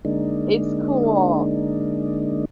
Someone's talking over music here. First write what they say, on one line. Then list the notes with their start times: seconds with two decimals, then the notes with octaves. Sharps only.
It's cool.
0.05 D3 G#3 A#3 D4 D#4